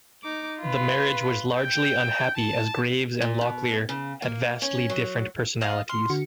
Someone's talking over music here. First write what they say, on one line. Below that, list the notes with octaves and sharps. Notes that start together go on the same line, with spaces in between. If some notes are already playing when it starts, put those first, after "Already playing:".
The marriage was largely unhappy as Graves and Locklear had vastly different personalities.
D#4 D6
F4 B4
G5
A5
A#2
B2
C#3
A#3
C#4
F#3
F4 D#5 F5
C6 F6
D3 F#4 C#7